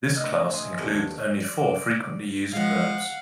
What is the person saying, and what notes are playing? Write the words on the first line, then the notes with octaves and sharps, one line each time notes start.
This class includes only four frequently used verbs.
A2 D4 A#4 D#5 E6 F#6
E5 G#5 C6 D#6
D#2 D4 F#4 G4 A4 B4
D5
F3 G#3 F5 F#5